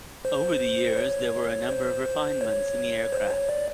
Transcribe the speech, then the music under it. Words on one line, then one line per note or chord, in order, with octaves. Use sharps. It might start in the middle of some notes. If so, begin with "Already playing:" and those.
Over the years there were a number of refinements in the aircraft.
C5
C#5
C5
C#5
C5
C#5
D5